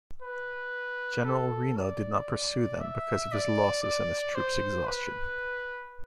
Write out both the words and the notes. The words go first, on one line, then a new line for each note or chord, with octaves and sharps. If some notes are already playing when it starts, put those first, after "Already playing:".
General Reno did not pursue them because of his losses and his troops' exhaustion.
B4
A4
D5
E5
D5
D5
C5
B4